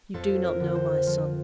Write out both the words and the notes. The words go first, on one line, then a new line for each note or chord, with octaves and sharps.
You do not know my son.
F2 A4
A#4
D3
C4 C5
F3